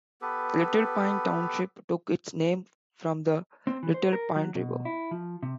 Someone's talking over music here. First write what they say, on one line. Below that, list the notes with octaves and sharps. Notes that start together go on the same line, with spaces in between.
Little Pine Township took its name from the Little Pine River.
B3 G4 A4 B4
C4
E3
C5
A#4
F#3
B2
E4
F3
C3